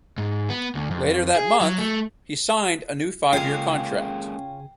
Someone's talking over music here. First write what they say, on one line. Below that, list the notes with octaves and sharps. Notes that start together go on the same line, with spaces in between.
Later that month, he signed a new five-year contract.
G#2
B3
D2
F2
G#4
F#3
A3
C#3 G#3 A#3 F4 C#5 G5 G#5